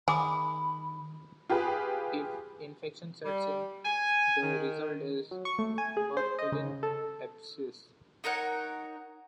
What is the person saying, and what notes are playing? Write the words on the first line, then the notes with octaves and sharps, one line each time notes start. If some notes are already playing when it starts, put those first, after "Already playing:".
If infection sets in, the result is a Bartholin's abscess.
D#3 G#4 G#5 B5 D6 D#6
F4 G4 G#4 B4
G3
G#5
D#3
F#3
C#6
A3
G#5
G#4
C5
D#5
C#3
A4
D#4 A#4 C#5 F#5